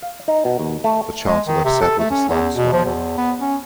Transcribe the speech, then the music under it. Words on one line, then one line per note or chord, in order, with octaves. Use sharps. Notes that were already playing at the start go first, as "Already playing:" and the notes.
The Chancellor said with a slight smile.
F5
D#4
B2
D#2
A3
G#3
D#3
C3
A4
A3
C#4
E2
B2
F3
E2
B3
C#4